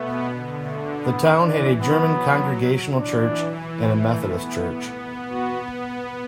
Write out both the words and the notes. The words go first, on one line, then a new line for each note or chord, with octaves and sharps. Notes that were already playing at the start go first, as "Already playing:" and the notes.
The town had a German Congregational church and a Methodist church.
Already playing: B2 A3 B3
D3
A3
E3 B3
D4
F#3 B3
E3 D4
A3 E4
B3
B3
B3 F#4